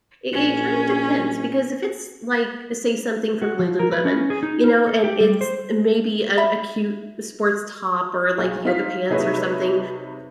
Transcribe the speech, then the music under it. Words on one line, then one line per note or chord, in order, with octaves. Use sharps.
i it kinda depends, because if it's, like, say, something from Lululemon, you know, and it's, maybe, an a cute sports top or, like, yoga pants or something,
A#1 C#4
F#4
F3
A#4
B4
C#4
G#4
D#4
A#4
A4
G4
G3
C5
E5 B5
B1 G#4
D#4 F4 F5 B6
C3 D#4 G#4 B4 C#5 E5